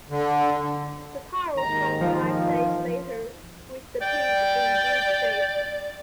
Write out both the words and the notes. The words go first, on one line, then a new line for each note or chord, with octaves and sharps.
The car was found five days later, with the pig in good shape.
D3
D#2 G#2 D#3 A#5
F3
D5 G5